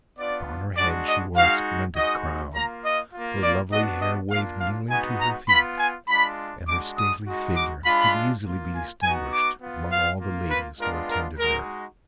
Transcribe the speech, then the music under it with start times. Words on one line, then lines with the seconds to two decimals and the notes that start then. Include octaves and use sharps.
Upon her head she wore a splendid crown, her lovely hair waved nearly to her feet, and her stately figure could easily be distinguished among all the ladies who attended her.
0.18 B3 D4 F4 D5
0.77 G#3 D4 F#4 D5
1.07 D#5
1.36 G#3 D#4 F#4 F5
1.96 G#3 D#4 F#4 D#5
2.54 A#3 F4 A#5
2.83 D#5
3.13 A#3 F4
3.43 D5
3.72 B3 D4 F#4 D#5
4.02 D#5
4.31 A#3 D4 F4 F5
4.60 F5
4.90 G#3 B3 D#4 F#4 G#5
5.20 A#5
5.49 B3 F4 B5
5.78 G#5
6.08 G#3 D4 F4 B5
6.67 G#3 D4 F#4 D6
6.96 D#6
7.26 G#3 D#4 F#4
7.55 D6
7.84 G#3 D4 F4 B5
8.44 A#3 F4
8.74 G#5
9.03 B3 D#4 F#4 G#5
9.32 D6
9.62 B3 F4
9.91 F5
10.21 A#3 F4
10.50 B4
10.80 G#3 B3 D4 F4 A#4
11.09 A#4
11.38 G#3 D#4 F#4 A#4